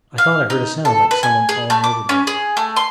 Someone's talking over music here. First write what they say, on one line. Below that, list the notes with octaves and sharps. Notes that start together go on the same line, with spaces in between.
I thought I heard a sound like some one falling overboard.
F5
D#4
A4
B4
G#5
G#4
A3
D6
C#4
G#4
A3
C6